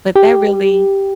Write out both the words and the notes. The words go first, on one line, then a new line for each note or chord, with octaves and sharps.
but that really
G4